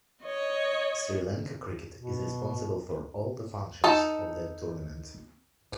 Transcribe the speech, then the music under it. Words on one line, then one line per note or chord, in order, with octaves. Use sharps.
Sri Lanka Cricket is responsible for all the functions of the tournament.
C#5 D#5
B2
D#4 A4 A5